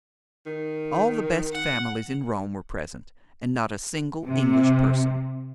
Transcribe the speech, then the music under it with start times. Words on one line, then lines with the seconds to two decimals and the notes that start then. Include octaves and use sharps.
All the best families in Rome were present, and not a single English person.
0.46 D#3
1.52 F#5
4.25 C3